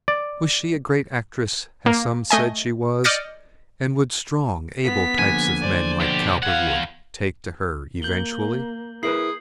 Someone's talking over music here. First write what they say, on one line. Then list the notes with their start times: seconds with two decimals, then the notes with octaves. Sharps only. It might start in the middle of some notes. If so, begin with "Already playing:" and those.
Was she a great actress, as some said she was, and would strong, able types of men like Cowperwood take to her--eventually?
0.08 D5
1.86 A#3
2.30 A3 D#5 G#5
3.04 D5 D#5 F6 G6 A6 C#7
4.84 B3 B6
5.19 D3 F3 A#3 G#5
5.61 C5 D5
6.01 B2 G4
6.43 E2 F5 F#5 G#6
8.02 A#3 G6 F#7 G7
9.03 E4 G#4 A#4 B4 C7 F#7